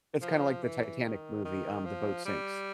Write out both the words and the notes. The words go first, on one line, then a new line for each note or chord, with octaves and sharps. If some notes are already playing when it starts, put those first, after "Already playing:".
It's kinda like the Titanic movie, um, the boat sinks.
F3
E3
D#3
D#3
F3
G3